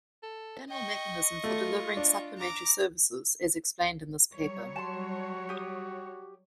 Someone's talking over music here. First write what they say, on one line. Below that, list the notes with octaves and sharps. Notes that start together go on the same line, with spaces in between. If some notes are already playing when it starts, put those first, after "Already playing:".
The general mechanism for delivering supplementary services is explained in this paper.
A4
D#5 G5 C#6
A3 F4
D4
A#5 D6
F#3 G3 C#5
F#4 A5 C6
G4 D#6